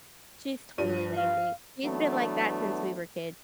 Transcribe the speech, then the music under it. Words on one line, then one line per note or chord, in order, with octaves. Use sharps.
She's totally lazy, she's been like that since we were kids.
G2 F3 D#7
F5
E3 F#3 A3 B3 D4